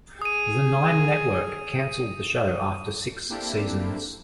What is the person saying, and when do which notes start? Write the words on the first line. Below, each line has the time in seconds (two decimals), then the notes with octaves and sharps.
The Nine Network cancelled the show after six seasons.
0.22 G#4 D#6 D#7
3.29 A#3 C4 D4 E4 G4 A4